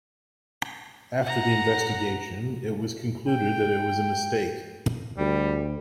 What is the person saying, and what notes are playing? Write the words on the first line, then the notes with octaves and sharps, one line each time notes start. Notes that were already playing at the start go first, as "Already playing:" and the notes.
After the investigation, it was concluded that it was a mistake.
F#5 A#5
G5
D2 G3